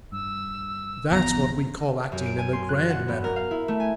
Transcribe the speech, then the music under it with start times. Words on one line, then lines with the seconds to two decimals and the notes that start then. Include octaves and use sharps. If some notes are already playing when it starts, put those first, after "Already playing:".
That's what we call acting in the grand manner.
0.12 G2 E6
1.11 A1 F2 D#3 B3 A#5
2.12 F#2
2.26 D7
2.38 G#5
2.53 C6
2.69 F#6
2.89 F#5
3.08 B3
3.24 A#4
3.36 F5
3.51 E4
3.68 A3
3.80 G#5